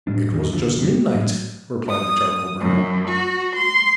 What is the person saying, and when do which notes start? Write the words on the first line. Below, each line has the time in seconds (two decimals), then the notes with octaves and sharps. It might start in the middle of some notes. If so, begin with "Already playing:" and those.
"It was just midnight," replied the charcoal burner.
0.07 A2 G3 D4
0.32 E2 D#3
0.52 F1 C2 D3 F3
0.83 G3
1.15 A1 A2 F#3
1.89 D#6
2.60 F#2
3.07 F#4
3.55 C6